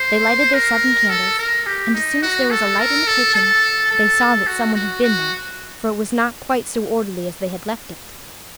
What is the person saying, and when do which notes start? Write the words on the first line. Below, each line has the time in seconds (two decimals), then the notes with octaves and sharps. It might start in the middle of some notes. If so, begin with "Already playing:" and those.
They lighted their seven candles, and as soon as there was a light in the kitchen, they saw that some one had been there, for it was not quite so orderly as they had left it.
Already playing: C5
0.54 A#4
1.10 A4
1.38 A#4
1.66 G4
1.94 D#4
2.23 F#4
2.51 A4
2.79 A#4
3.07 A4
3.34 A4
3.91 A4
4.47 F#4
4.75 F#4
5.03 F#4